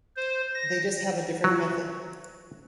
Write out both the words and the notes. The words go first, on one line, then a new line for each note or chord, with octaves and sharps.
They just have a different method.
C5
A#6
F#3